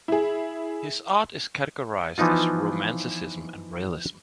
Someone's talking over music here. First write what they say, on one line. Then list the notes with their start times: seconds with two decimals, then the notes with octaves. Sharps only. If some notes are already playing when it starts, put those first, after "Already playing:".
His art is categorized as romanticism and realism.
0.08 E4 G#4
2.18 E3 F3 B3 D#4 F4